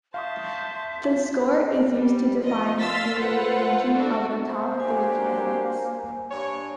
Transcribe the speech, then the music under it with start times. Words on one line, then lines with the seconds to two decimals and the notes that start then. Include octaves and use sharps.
The score is used to define a ranking of the top three candidates.
0.14 C5 E5 F5 A5 C#6 D#6
1.93 G3
2.41 F3 D#5
2.79 F5 C6 E6 A6 B6
3.19 F4 A4 B4 C5 F#5
3.94 D4 F#4 A4
4.47 C5 E5
4.80 F#3 A#3 D4 G4 G#5
6.31 G2 D4 C#5